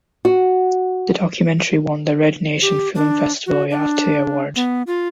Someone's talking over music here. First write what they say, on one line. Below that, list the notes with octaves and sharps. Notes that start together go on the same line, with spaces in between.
The documentary won the Red Nation Film Festival Oyate award.
F#4
G4
D4
F#4
D4
B3
F4